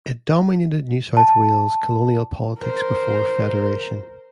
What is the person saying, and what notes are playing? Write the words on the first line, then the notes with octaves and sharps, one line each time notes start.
It dominated New South Wales colonial politics before federation.
A5
A#4 C5